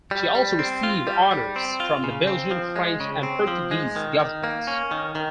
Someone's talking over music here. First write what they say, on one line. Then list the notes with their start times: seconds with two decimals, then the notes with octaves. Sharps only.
She also received honours from the Belgian, French, and Portuguese governments.
0.11 G3
0.35 G3
0.59 C4
0.83 F4
1.07 G3
1.31 G3
1.56 C4
1.80 F4
2.04 C#3
2.27 C4
2.51 F3
2.76 G#3
3.00 C#3
3.23 C4
3.48 F3
3.71 G#3
3.96 D#3
4.20 D#3
4.44 A#3
4.67 C#4
4.91 D#3
5.15 D#3